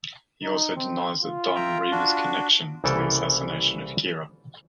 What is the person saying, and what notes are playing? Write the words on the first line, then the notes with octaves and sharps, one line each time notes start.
He also denies that don Reba's connection to the assassination of Kira.
D#4
C4
F4
E5 G5 A#5
D4 F#4
C2 C#3 E3 A#3 A4 G5